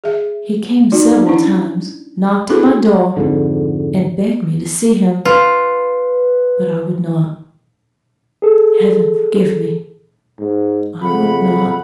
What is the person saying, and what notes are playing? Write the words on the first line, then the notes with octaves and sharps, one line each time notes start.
He came several times, knocked at my door, and begged me to see him, but I would not. Heaven forgive me!-- I would not!
G#4 E5
D#4 F#4 D5
C#4 D4 E4
B3 D4 E4 F#4 G#4 A4
F2 G#2 D3
F4 B4
G#4 A4
G#2
F2 C#3 F#5 B5